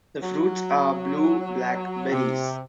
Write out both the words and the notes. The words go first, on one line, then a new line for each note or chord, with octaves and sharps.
The fruits are blue-black berries.
F#3
C3